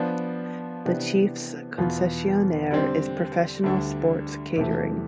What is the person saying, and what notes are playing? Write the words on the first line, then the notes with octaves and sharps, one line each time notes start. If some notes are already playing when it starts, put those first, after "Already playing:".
The Chiefs' concessionaire is Professional Sports Catering.
Already playing: F3 B3 D4
C3 E3 B3 D4
E2 B2 B3 F4
D3 G3 C4
D2 D3 G3 D4
E2 C3 E3 A3